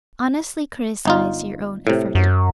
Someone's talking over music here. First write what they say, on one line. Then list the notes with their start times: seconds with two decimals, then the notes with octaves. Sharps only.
Honestly criticise your own effort.
1.05 G1 D#4 F4
1.87 A2 C3
2.15 F#2